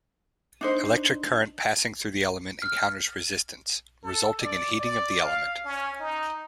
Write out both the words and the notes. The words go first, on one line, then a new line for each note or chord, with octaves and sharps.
Electric current passing through the element encounters resistance, resulting in heating of the element.
D4 D#4 C5
F6
A4
D5
D5
F5
C#4
D#4